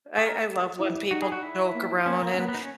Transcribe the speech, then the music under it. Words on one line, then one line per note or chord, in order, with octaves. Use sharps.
I I love when people joke around, and
G#4
A#4
E4
D#4 F#4
G#4
F#4
E4
A#3
A#3 C#4
A#3
C#4
A#3 B3
B3
D#4
C#4